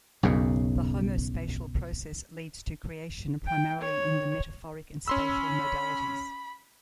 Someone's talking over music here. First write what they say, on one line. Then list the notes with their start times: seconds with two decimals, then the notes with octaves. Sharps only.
The homospatial process leads to creation primarily in the metaphoric and spatial modalities.
0.23 B1 F#2 C#3
3.47 G5
3.81 C#5
5.08 C#4 B5 C6 E6